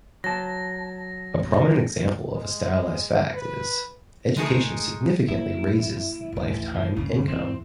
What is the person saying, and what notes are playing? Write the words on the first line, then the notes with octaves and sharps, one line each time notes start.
A prominent example of a stylized fact is: Education significantly raises lifetime income.
F#3 A5 A#6
G#3
B4
G#3 A3 D#4 F#4 G#4 A#4
A#3 E4
A1 D#2
E3 F3
D2 G2 C#3
E2 G#2 C4